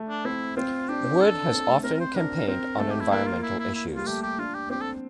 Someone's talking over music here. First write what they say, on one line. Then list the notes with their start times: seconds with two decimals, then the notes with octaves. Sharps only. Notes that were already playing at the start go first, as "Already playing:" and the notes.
Wood has often campaigned on environmental issues.
Already playing: A3
0.09 D4
0.25 C4 E4
0.57 C4 F4
0.89 D4 G4
1.04 C4
1.20 D4 A4
1.52 C4
1.68 A3
1.83 C4 A#4
1.94 A#4
2.00 C5
2.16 D4 A#4
2.48 C4 A#4
2.79 A3 A4
2.90 G4
3.01 E4
3.11 A#3 E4
3.27 F4
3.43 E4
3.59 E4
3.75 E4
3.96 G3 F4
4.07 A3 G4
4.22 G4
4.38 D4 F4
4.54 G4
4.70 C4 G4
4.81 A4